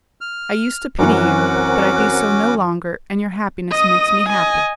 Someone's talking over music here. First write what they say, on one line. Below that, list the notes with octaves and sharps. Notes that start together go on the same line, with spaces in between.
I used to pity you, but I do so no longer, and your happiness makes me happy.
F6
F#2 E3 C4 C#4 F#4 A#4 F#5 D6
D#5 D#6
D#5 G#5